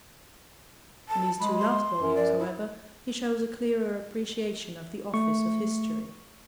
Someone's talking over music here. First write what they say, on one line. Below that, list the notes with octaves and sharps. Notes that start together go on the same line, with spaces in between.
In these two last volumes, however, he shows a clearer appreciation of the office of history.
A5
G#3 B5
C6
F#2
D5
E4
A3 C#6